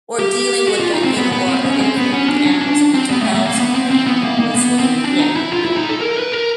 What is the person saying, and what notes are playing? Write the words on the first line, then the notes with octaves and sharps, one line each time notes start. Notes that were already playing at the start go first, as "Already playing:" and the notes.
Or dealing with that you know, or or interfering with the animal's mental health so that the animal is living Yeah, yeah.
G4
F#4
F4
D#4
C4
B3
B3
C4
C#4
C4
B3
C#4
D4
C#4
D4
C4
B3
A3
A3
A#3
B3
C4
C4
B3
A#3
A#3
B3
C4
D4
D#4
E4
F4
E4
D#4
A4
A#4
B4
A#4